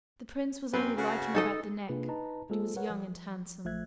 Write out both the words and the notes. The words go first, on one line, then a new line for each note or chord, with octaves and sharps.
The Prince was only like him about the neck; but he was young and handsome.
F#2 C4 B4
C#3 F#4
D#4 A4 D#5
C3 A#3 D4 F4 G#4 B4
D#4 B4 D#5 A5 A#5
G#3 A#3 F4 G#4 A4 C5
A#4 B4 C#5 F#5
F3
A#1 F3 A3 E5 F#6 G#6